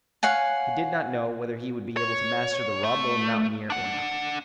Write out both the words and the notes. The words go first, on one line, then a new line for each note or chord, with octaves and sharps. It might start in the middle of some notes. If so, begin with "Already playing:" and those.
He did not know whether he would be able to master the raw-boned mountaineer or not.
C#5 F5 F#5 G#5
C#5
A3
D4 F#5